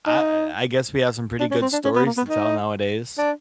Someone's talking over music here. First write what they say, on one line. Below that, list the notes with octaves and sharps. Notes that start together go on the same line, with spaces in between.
I I guess we have some pretty good stories to tell nowadays.
D#4
D4
C#4
C4
D4
C#4
B3
A#3
B3
D#4
D4